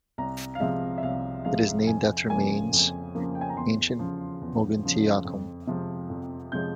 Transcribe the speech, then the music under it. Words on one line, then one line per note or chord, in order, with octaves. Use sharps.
It is named after Mainz, ancient "Moguntiacum".
C2 A#5
F5
C3 F3 G#3 E5
E5
C2 F5
C3 F3 G#3 F5
F2 G#5
C#3 F3 A#3 G#5
F2
C#3 F3 A#3
G5
G#5
A#5
E2 C6
C#3 F3
E2
C#3 F3
F2
C3 F3 G#3
F2
C3 F3 G#3 G6